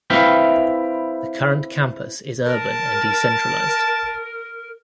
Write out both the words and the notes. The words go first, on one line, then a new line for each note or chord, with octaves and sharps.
The current campus is urban and decentralized.
C4 E4 B4 E5 F5 G5
A#4 A5